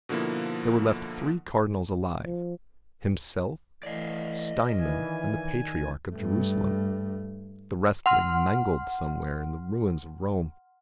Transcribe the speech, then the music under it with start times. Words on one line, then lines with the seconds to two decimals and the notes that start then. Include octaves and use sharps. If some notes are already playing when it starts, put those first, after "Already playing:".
There were left three Cardinals alive, Himself, Steinmann, and the Patriarch of Jerusalem; the rest lay mangled somewhere in the ruins of Rome.
0.09 B2 D3 F3 A#3 E4
2.25 F3
3.83 E3 A3 D5 D#5 F5
4.80 D#3 E3 G#5
6.13 G2 A3
8.06 F#5 C6 F6